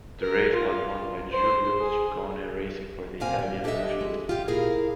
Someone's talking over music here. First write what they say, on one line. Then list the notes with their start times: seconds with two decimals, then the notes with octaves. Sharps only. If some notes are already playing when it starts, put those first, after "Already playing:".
The race was won by Giulio Ciccone racing for the Italian national team.
0.20 A#4
0.54 F4
1.31 C5
1.79 G#4
3.20 A#2 F#3 A#3 C4 F5 G#5
3.39 G3
3.64 D4 G4 A4 C#5 D#5 E5
4.01 G#3
4.29 F4 G4
4.48 A#2 E4 G#4 A#4 F5